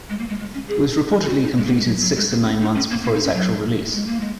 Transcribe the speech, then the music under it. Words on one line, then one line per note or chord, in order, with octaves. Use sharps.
It was reportedly completed six to nine months before its actual release.
G#3
A#3
G#3
G#3
C#4
G#4
D#4
F#4
D#4
G#3
A#3
G#3
F#3
F#3
G#3
A#3
C#4
D#4
C#4
A#3
A#3
D#4
C#4
F#3
G#3
A#3
G#3